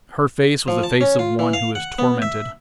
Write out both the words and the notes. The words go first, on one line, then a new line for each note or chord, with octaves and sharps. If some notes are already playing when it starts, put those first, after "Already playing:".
Her face was the face of one who is tormented.
F3
A5
C#4
F4
E3
F5
F#5
B3
E5